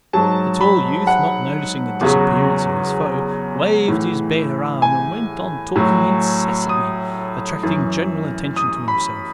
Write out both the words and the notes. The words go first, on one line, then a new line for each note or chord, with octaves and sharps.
The tall youth, not noticing the disappearance of his foe, waved his bare arm and went on talking incessantly, attracting general attention to himself.
G#2 F#3 A5
B5
F#5
E2 C#3 F#3
A2 E3
G#5
A2 F#3
D#6
F#2 E3
D#6
B5